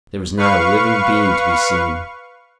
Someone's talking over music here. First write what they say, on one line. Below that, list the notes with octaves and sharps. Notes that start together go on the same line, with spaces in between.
There was not a living being to be seen.
B4 F5 C#6